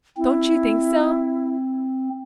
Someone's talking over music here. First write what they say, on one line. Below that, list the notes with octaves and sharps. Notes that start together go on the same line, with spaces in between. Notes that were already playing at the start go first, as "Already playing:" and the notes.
Don't you think so?
C4 E4